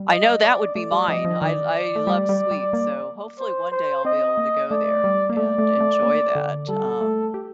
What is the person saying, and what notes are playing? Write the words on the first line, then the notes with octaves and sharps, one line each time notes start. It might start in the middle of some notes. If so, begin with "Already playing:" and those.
I know that would be mine, I I love sweets, so hopefully one day I'll be able to go there and and enjoy that, um,
Already playing: G3
D#5
D5
A3 D5
G3
F3 D#5
F3
D#3 D5
A3
G3
G3
G3
A#3
C5
C5
C4 D#5
A#3
A3 D5
G3
A#3
A3 D5
A3
A3
A#3
D3
G3 A4
A3
G4